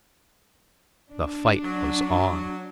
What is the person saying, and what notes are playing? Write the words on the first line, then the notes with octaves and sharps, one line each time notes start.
The fight was on!
D4
F#3